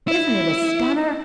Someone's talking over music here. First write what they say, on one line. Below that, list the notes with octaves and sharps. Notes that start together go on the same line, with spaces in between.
Isn't it a stunner?
E4